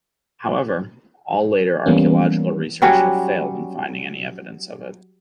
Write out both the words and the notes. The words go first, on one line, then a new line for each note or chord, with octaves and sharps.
However, all later archaeological research have failed in finding any evidence of it.
E3 G3 A#3 B3 C#4
F#3 G3 C#4 F#4